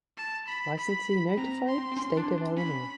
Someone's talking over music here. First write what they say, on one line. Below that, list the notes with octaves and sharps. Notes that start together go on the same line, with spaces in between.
Licensee notified State of Illinois.
A5
B5
B5
C4 A#5
C6
C4
C4
C#4
D4
D4
C#4 B5